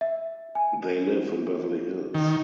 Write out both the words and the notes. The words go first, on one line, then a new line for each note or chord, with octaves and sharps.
They live in Beverly Hills.
E5
G#5
D#3